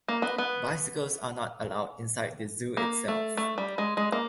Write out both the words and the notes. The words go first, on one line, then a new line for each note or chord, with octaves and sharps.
Bicycles are not allowed inside the zoo itself.
A#3
B3
B3
A#3
A3
A3
G3
G#3
G#3
A#3